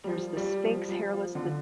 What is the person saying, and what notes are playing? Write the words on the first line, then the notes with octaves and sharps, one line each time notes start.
there's the Sphinx hairless, the
G3
F3
G3
F3
G3
F3
F3
D3